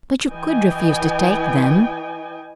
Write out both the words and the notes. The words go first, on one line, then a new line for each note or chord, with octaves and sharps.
"But you could refuse to take them."
E3 D#5 G5 G#5